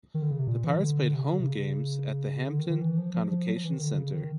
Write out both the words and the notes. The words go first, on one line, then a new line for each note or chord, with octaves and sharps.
The Pirates played home games at the Hampton Convocation Center.
D#3
D3
C#3
C3
A#2
E3
D3
C3
C#3
D3
C3
C#3
D3
D#3
D#3
E3
F3
F3
F3
F#3
F3
E3
D#3
D3
C#3
D#3